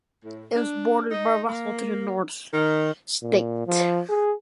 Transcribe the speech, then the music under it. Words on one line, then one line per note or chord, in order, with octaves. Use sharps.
It was bordered by Russell to the north, Ste.
A2
D4
D#4
A#3
D#3
A#2
F3
G#4